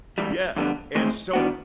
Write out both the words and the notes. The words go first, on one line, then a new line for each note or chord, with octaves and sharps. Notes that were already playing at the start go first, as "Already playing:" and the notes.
Yeah, and so,
G#2 E3 G3
F2 D3 G3 B3
A2 E3 G#3 C4
D#3 G3 B3 D4 F#4